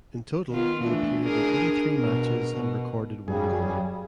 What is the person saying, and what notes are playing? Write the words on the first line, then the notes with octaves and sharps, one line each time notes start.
In total he appeared in eighty three matches and recorded one goal.
D#3 B3 F4
E3 A3 D4
D4 G#4 A#4
B2 A#4
B2
F#2 C#3 G3 G#4